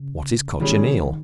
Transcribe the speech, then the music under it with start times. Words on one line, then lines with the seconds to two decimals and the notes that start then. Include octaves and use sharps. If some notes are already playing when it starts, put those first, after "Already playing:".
What is Cochineal?
Already playing: C#3
0.60 A#2 D#3 G3 C#4 G#4